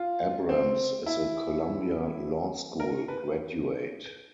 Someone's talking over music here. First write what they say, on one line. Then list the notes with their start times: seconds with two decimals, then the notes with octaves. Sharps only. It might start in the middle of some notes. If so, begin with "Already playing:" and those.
Abrams is a Columbia Law School graduate.
Already playing: F4
0.49 C4
1.06 E4
2.80 A#4
3.08 B4